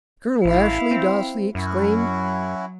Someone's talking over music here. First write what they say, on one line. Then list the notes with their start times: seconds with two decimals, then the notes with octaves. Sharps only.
"Colonel Ashley!" Darcy exclaimed.
0.45 A1 E4 F5
0.91 C4
1.55 F#2 F#3 C#4 E4 F#4